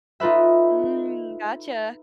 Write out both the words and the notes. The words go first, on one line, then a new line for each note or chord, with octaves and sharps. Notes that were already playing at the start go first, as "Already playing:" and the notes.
Mm, gotcha.
D#4 F4 A4 B4 E5